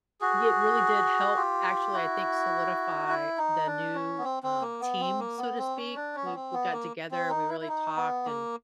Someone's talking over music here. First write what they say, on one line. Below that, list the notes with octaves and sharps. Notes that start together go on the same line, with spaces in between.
i it really did help, actually, I think, solidify the new, um, team, so to speak. We we got together, we really talked, and,
F#4 G#4
F4 G4
E4 F#4
E4
D#4
D4
C#4
B3
C4
C4
A#3
B3
C4
A#3
B3
C4
C#4
D4
C#4
B3
C4
B3
A#3
C4
D#4
E4
E4
D#4
B3
A#3